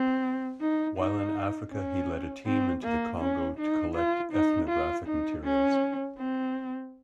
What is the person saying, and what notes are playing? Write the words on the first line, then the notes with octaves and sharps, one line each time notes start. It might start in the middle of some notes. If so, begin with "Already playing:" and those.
While in Africa, he led a team into the Congo to collect ethnographic materials.
Already playing: C4
D#4
D#4
C#4
C4
A#3
C#4
D#4
F4
D#4
F4
D#4
C#4
C4